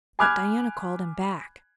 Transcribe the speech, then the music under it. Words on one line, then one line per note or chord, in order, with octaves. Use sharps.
But Diana called him back.
G#5 B5 D6 F6 F#6 G#6